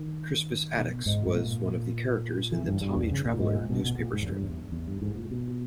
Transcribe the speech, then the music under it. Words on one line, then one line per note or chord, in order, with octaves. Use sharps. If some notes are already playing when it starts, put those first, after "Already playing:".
Crispus Attucks was one of the characters in the "Tommy Traveler" newspaper strip.
Already playing: D#3
B2
G#2
G#2
A#2
E3
G2
G2
E2
C#3
A#2
G#2
A#2
B2
B2
A#2
G#2
E2
G2
E2
E2
G2
G#2
A#2
B2